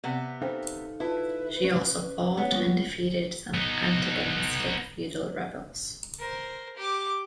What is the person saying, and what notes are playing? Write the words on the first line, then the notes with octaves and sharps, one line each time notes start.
She also fought and defeated some antagonistic feudal rebels.
C3 B3
C#4 D#4 A4 C5 F5 G5
E4 F4 B4 A5
C#4
B3 C#5 F#5
G3 A#3 C#4 F4
B3 D#4
A#4 C5
G4 D6